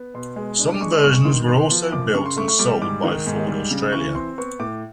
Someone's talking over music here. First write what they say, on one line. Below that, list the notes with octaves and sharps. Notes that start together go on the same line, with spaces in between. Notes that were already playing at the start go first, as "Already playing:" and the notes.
Some versions were also built and sold by Ford Australia.
Already playing: B3
B2 C6
G#3
D4
D6
G#3 C#6
C6
G2 C#6
C#6
D#3 C6
B3 C6
C6
F3
F#2 D6
C#3 C#6
C6
A3 C#6
C#6
G3 D6
G#2 D6
D#3
G#2
G3
C#3
E3 C#6
C4 C6
B3 C#6
A2 D6